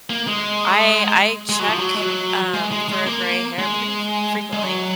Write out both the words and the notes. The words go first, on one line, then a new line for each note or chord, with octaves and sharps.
I I check, um, for a gray hair pretty fre frequently.
A#3
G#3
G#3
F#3
F3
F#3
G#3
F#3
G#3
G#3
G#3
A#3
G#3
G#3
F#3